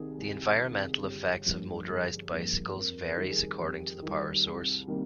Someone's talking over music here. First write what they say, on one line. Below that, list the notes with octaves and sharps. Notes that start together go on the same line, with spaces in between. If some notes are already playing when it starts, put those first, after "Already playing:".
The environmental effects of motorized bicycles varies according to the power source.
Already playing: C2 C3 D#3 G#4
C2
C3 D#3
G1 G4
G2 F3 A#3
G1 G#4
G2 F3 A#3
F2 A#4
A#4
D#3 G3
G#4
F2 G4
D#3 G3
C2
C3 D#3 G3 A#3